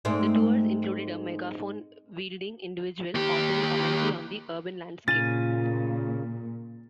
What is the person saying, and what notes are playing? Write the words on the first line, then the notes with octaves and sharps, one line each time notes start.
The tours included a megaphone-wielding individual offering commentary on the urban landscape.
G#2 A3 C4
D#2 G4
A#2 C#3 F4 G#5 A6